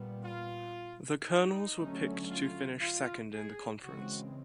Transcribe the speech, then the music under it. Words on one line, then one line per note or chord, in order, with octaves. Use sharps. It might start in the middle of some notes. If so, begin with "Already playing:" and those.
The Colonels were picked to finish second in the conference.
Already playing: A#2 G3 B3
F4
D#4
D3 F#3 A3 C#4
F4
F4
G#4
C#3 E3 G#3 C4 F#4